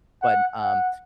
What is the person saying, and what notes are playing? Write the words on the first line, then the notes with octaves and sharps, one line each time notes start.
but, um.
F#5
F#5